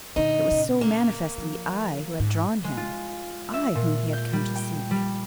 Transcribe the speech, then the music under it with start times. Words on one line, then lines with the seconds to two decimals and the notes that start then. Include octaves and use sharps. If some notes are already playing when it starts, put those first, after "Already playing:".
It was so manifestly I who had drawn him, I whom he had come to seek.
0.16 A#2 D3 D#4
0.51 A#2 C#3
0.81 A#3
1.38 F3
2.20 G#2
2.64 G#3
2.77 F4
3.53 E5
3.75 A#2
4.13 G6
4.33 G3
4.55 G5
4.91 G3